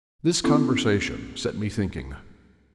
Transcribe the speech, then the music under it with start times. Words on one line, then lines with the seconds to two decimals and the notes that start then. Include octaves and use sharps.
This conversation set me thinking.
0.44 B3 C#4 E4 A4